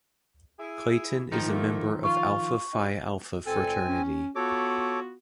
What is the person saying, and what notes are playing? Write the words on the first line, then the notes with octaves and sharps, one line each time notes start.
Clayton is a member of Alpha Phi Alpha fraternity.
E4 G#4
D#3 F3 D#4
A3 A#3
F4 C#6
C#3 F#3 D#4
C#2 A#2 C4 A4 G#5
C#4
B3 F4 F#4 A4 C#5 D6